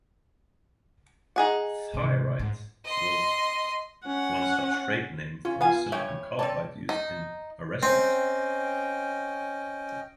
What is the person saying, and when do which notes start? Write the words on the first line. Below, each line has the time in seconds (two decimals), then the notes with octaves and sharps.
"Thyrite" was once a trade name for the silicon carbide used in arresters.
1.36 D#4 G#4 F#5
1.94 G#2 C3
2.39 G#2
2.85 D#5 C6
4.06 C#4 F#5
5.45 C#4 F4
5.61 B3 F4 F5 G#5
5.92 G2 C#5 E5 G5 G#5
6.39 C4 C#5 D5 A5
6.89 D#4
7.83 C4 C#4 D#5 G5